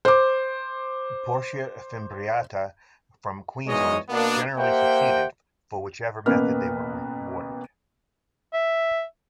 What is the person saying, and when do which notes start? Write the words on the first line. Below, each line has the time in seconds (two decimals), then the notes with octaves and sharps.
"Portia fimbriata" from Queensland generally succeeded, for whichever method they were rewarded.
0.05 C5 D6
3.67 B1 E2 G#2 G#3 C#5 D#5
4.10 B2 A#3 B3 D4
4.58 A#3 G4 C5 E5 F#5 G5
6.26 A1 B2 A#3 B3 B4 F6
8.53 E5